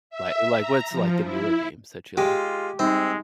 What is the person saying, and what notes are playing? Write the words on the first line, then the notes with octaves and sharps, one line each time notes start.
like like, what's, like, the newer games that you like?
E5
A#5
F3
E4
G#3 F4 G4
G3 G#3 C4 D#4